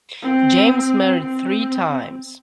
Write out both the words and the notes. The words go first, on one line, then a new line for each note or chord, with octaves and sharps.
James married three times.
C4
C4